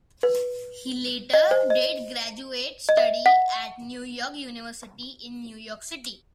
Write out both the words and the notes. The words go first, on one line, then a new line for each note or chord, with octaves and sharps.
He later did graduate study at New York University in New York City.
B4
D#5
C5
D#5
D#5
E5
F#5